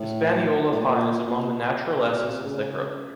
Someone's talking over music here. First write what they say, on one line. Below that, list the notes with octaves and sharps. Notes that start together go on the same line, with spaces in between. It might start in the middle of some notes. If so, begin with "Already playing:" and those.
Hispaniola pine is among the natural essences that grow here.
Already playing: A2
A2
A#2
B2
C3
C#3